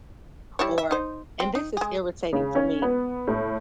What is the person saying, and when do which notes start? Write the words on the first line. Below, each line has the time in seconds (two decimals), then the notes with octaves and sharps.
or and this is irritating for me,
0.59 G3 E4 C#5
0.78 E5
0.91 D#4 C5
1.40 C4
1.55 D#4
1.77 G#3 G#4
2.33 C#3
2.55 C#4
2.82 B3
3.27 A2